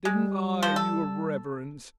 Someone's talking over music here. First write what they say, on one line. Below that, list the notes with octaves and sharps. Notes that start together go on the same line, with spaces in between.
Didn't I, your Reverence?
G3 G#3
F3 C5
A4